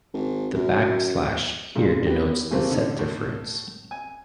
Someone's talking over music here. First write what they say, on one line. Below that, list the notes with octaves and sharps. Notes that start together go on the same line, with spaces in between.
The backslash here denotes the set difference.
G#1
F#2
G2 A#2 G#3
B3 G4
C#3 E3 G3 A3 A#3 C4
D3 D#4
A2
G#5